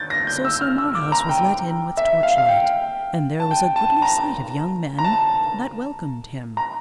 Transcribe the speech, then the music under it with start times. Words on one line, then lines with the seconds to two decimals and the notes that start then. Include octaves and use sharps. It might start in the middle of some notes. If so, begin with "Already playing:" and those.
So Sir Marhaus was let in with torchlight, and there was a goodly sight of young men that welcomed him.
Already playing: G6 A6
0.10 A#6
0.27 G6
0.45 E6
0.61 F6
0.78 E6
0.95 D6
1.12 A#5
1.29 G5
1.97 E5
2.23 F5
2.38 F5
2.49 G5
3.40 A5
3.51 G5
3.76 A5
4.02 A#5
4.99 A#5
5.04 A5
6.57 A#5